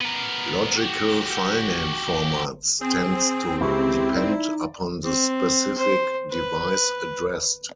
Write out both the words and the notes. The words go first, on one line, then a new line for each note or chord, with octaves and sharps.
Logical filename formats tends to depend upon the specific device addressed.
B3 A#4
F#4 G4
C4 G#4
C#2 E4 G4 B5 C#6
D#4 D5
C4
C5
B4